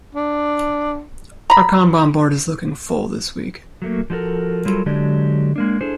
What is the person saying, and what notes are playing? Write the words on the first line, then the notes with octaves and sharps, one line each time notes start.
Our Kanban board is looking full this week.
D4
A#5 B5
F#3 A3 A#3
F3 F#3 F#4 A4 A#4
F#3 G3 F4 A4 A#4
D3 F#3 G#3 D4 G4 D5
G#3 A#3 D4
D4 E4 G#4 A4 C5